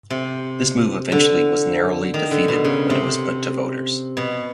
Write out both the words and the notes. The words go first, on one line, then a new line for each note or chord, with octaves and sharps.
This move eventually was narrowly defeated when it was put to voters.
C3
D3
D#3
D3
B2
C#3
C3
B2